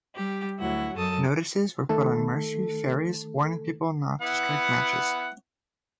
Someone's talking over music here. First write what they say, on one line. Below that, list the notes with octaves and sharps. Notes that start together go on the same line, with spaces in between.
Notices were put on Mersey ferries warning people not to strike matches.
G3 G4
D2 F#3 E4 F#5
F#2 A4 A5 D#6
D#3 A3 A4
B3 E4 F#5